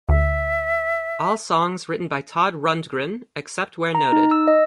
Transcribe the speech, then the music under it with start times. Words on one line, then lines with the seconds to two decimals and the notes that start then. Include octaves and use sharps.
All songs written by Todd Rundgren, except where noted.
0.09 D2 E5
3.95 A#5
4.12 D#4
4.31 E6
4.47 D#5